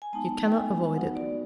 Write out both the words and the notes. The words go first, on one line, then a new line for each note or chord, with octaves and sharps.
You cannot avoid it.
G#5
G#3 B3 D#4 A5
G5
G#5
B3 D#4 F#4 F#5
D5